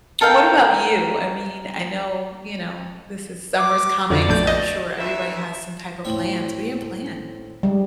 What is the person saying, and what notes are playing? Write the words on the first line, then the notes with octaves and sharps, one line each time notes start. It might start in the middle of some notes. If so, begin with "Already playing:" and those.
What about you? I mean, I know, you know, this is summer's coming, so I'm sure everybody has some type of plans. What do you have planned?
A4 A#4 F5 G5
D6
F2 B2 D3 D5
A#1 A3 G6
D#5
D2 E3 E5
A2 C4 C#5
G3 G#3